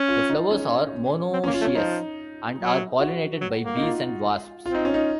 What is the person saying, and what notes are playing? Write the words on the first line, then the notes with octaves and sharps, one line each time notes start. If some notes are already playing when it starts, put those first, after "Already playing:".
The flowers are monoecious and are pollinated by bees and wasps.
Already playing: C#4
F4
D#4
C#4
C4
C#4
A#3
F4
A3
C#4
F3 D#4
F#3
F#4
F#3
A#3
D#4
F4
C4 F4
D#4
C#4
D#4